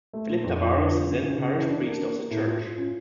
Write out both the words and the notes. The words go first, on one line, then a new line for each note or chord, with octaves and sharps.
Philip Tavares the then parish priest of the Church.
A3
A#2
F2
F2
D3
F4
C#3
C#3
C#3
E3
D4
A#3
A#3
A#3
A2
F4
F4
C#4